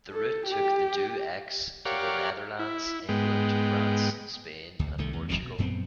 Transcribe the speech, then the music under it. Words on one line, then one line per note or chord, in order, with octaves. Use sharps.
The route took the Do X to the Netherlands, England, France, Spain, and Portugal.
A4
G4
G4 A#4 C#5 D5 F5 F#5
E4
G#2 G#3 B3 G5
D2
C2 D#3 A3
E2
D1 G#1 F2 C#3
B2
A#1 F#2 B3 C4